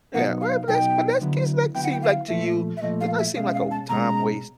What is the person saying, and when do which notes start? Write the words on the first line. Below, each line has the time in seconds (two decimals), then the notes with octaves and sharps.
Yeah, well, but that's but that's case, like seem like to you does that seem like a w time waste,
0.14 B2 F#3 B3 D#4 F#5
0.41 F5
0.68 B2 F#3 B3 D#4 G5
1.21 D3 F#3 B3 E4
1.75 D3 F#3 B3 E4 G5
1.84 F#5
1.92 G5
2.02 F5
2.28 A#2 F3 A3 E5
2.77 E5
2.82 A#2 F3 A3 D#5
3.01 F5
3.18 E5
3.35 B2 G#3 C#4 F5
3.49 E5
3.54 F5
3.71 A5
3.89 B2 G#3 C#4 A#5